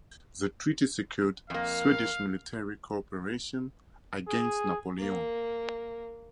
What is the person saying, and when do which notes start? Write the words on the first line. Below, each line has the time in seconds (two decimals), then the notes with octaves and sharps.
The treaty secured Swedish military cooperation against Napoleon.
1.50 F2 A#3 F5
4.28 G#4
4.99 A#3